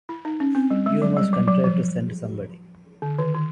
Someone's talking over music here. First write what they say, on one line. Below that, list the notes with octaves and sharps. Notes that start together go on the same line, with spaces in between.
You must contrive to send somebody.
E4
D#4
C#4
C4
G3
G#3
F#3
G3
F#3
F#3
F3
D3
D#3
D#3